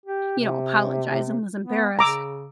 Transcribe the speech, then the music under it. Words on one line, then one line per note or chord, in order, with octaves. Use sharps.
you know, apologized and was embarrassed.
G4
C3
B3
C#3 A#5 D6 E6